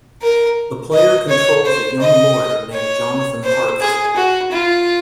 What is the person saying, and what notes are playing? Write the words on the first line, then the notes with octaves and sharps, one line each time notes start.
The player controls a young lawyer named Jonathan Harker.
A#4
D#5
C#5
C5
D#5
C#5
C5
G#4
F#4
F4